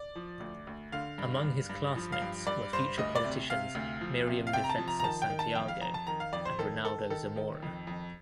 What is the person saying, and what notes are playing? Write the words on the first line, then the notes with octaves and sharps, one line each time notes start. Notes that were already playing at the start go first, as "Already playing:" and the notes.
Among his classmates were future politicians Miriam Defensor Santiago and Ronaldo Zamora.
Already playing: D5
F3
D2
D2
D3 F5
G2
G2
G2
F3
F5
G2
G2 D5
G2 C5
D2 D#5
D5
C3
C3 F5
D2
F3
C3
F5
C3 G5
A#5
A5
F3
A#5
A#5
D#3 A5
G5
D#3
A5
F2 G5
F5
F2 A#5
A5
D#3 A#5
F5
F2 D5
C5
D#3 A4
D#3 A4
D#3 A4
D#3
F2
F2